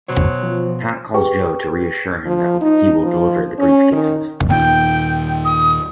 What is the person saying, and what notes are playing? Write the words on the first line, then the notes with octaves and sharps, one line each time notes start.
Pat calls Joe to reassure him that he will deliver the briefcases.
B2 F#3 C5 C#5
F3
G4 G#4 B4 G5 C#6
F3
D#4
F3
C#4
D#3
D#2 A#2 D#3 G5
D#6